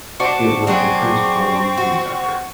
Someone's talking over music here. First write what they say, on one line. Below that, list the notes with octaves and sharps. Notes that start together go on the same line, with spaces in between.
It was the principal weaving centre.
D4 F#4 C5 A5 C#6
F#3 C4 D4 G#4 C#6
F#4